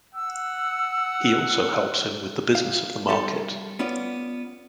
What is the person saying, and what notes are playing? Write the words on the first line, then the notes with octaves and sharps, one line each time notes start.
He also helps him with the business of the market.
F#5 E6
F5
G3 G4 A4
B3 C#4 F4 D5